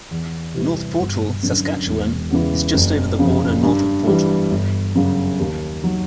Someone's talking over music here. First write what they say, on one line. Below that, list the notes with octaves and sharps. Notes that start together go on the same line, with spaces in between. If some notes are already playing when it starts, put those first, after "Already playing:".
North Portal, Saskatchewan is just over the border north of Portal.
E2
C3 E3 G3
G1
F#2 D3
E1
E2 C#3 E3
F#1
F2 C#3
G2
E3 G3
G1
F#2 C#3
D#2
D#3 F#3